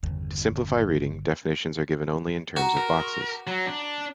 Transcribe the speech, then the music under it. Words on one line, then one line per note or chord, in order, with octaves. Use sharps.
To simplify reading, definitions are given only in terms of boxes.
G1 E2 C#3
D#4 F#4 B4 A#5
A#4
G#4 C6 C#6
G4 B4
F#3 A#5
D4